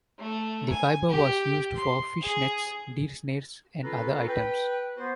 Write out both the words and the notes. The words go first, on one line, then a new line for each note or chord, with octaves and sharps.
The fiber was used for fish nets, deer snares and other items.
A3
G#5
G4
C6
G#4
C#4 F4 A4 B4 A#5 B5
B4 G5
B3 F#4 C5